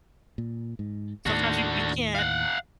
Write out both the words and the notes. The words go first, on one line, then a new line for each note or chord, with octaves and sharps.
Sometimes you you can't
A#2
G#2
D#2 A2 D#3 D4 F#4
F5 F#5